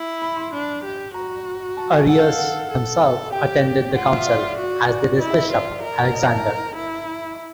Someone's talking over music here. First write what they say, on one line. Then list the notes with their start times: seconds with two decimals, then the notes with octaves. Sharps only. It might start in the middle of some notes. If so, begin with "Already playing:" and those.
Arius himself attended the council, as did his bishop, Alexander.
Already playing: E4
0.22 B5
0.36 C6
0.53 D4 B5
0.84 G4
1.14 F#4 A#5
1.77 A5
1.93 G#5
2.08 A4 F#5
2.19 F5
2.30 F5
2.39 F#5
2.70 A4
3.33 G4 G5
3.95 F4 F#5
4.06 F5
4.16 E5
4.26 D5
4.57 F#4
4.89 D5
5.20 E4 D#5
5.31 E5
5.41 D#5
5.51 F4 D5
5.83 A#4
6.13 D#5
6.23 E5
6.34 A5
6.45 A#5
6.76 E4